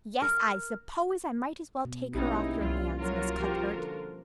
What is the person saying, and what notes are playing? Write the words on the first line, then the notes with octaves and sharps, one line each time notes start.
Yes, I suppose I might as well take her off your hands, Miss Cuthbert.
A#4
B2
A#1 A#3 C#4 D#4 E4 G4
C2 F3 G3 F4
F#3 F4 F#4 A#4
F3 G4
D3